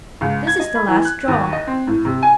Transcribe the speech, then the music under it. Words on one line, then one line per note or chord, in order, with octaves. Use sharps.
This is the last straw.
C#2
G#6
D#5
B5
E3
F#6
D#2
D#5
C4
A2
C3
G#5